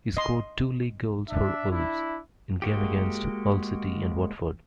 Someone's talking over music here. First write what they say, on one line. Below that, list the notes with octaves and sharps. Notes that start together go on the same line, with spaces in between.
He scored two league goals for Wolves, in games against Hull City and Watford.
D#5 C6
D4 E5
D4 E4
G#3 A#3 F#4 G4